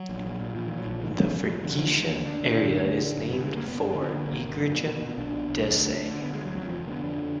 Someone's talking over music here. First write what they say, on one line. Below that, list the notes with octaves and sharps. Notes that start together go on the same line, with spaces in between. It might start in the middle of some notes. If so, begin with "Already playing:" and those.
The freguesia area is named for "Igreja da Sé".
Already playing: F#3
A#1
A#1
A#2
A#2 F3
A#2 D#3
F#3
A#1 F3
D3 D#3
F1 D3
D#3
F1 F#3
F2 F3
D3 D#3
F#3
F1 F3
A#3
D3 G#3
D2 A#3
D2 D4
D3
D3
D2
D3
D3
F#1
D3 B3
F#1 G#3
A#3
F#1 B3
G#1 D4
D3 D4
B3
D3 A#3
G#1 A#3
G#1
F#2
B2
B2
B2
B1 D4
B2
B1
D2
D2
D2
D3 D4
D3 B3
G#3
D2 F#3
F2 F#3
F3
F1
F3
D3 A#3 B3
F2 D4
D3